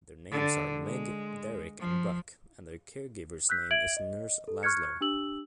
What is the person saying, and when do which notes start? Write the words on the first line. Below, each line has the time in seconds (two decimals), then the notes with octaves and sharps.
Their names are Meg, Derrick and Buck and their care-giver's name is Nurse Lazlo.
0.31 D3
0.83 G#3
1.80 F3
3.49 E6 F#6 G6 B6
3.71 E5 G#6 D7 F#7
3.97 D#5
4.48 A4
4.63 C#6 F6 F#6 G#6 C#7
5.01 D4 G4 E6 F#7